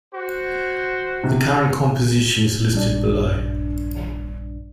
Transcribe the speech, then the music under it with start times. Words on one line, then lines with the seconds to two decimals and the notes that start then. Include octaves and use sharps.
The current composition is listed below.
0.12 F#4 C5
1.23 C3
2.73 A#1 G2 D4